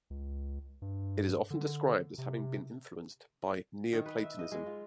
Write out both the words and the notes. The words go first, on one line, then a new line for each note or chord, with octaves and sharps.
It is often described as having been influenced by Neoplatonism.
C#2
G2
D3
C3
D#3
B4
E5
D#5
G#3
F4